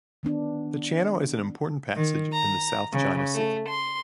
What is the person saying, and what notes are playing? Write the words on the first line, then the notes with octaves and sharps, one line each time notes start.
The channel is an important passage in the South China Sea.
D#3 B3 D4
D#3
A#5
C#3
A3
C6